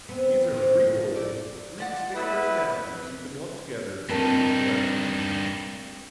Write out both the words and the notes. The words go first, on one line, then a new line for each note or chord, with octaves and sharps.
These are three boys, with three distinct personalities who've been lumped together in strange surroundings.
B3 C4
D#3 A#3 C4
A2
E4 D5
G#3 D5 F#5
F#3 B3 E4 A4 B4
G2 C4 D#4 A#4 A5